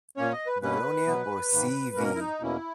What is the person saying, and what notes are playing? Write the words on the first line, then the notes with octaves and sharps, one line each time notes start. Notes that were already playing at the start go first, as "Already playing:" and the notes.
Vironia or C!V!
A#2 A#3 C#4 C#5
D#5
B4
B2 A#3 C#4 B4
B2 F#3 B3
G#2 D#3 A#3
B2 A#3 C#4 A#4
E4
D#4
E2 B2 A#3 C#4 E4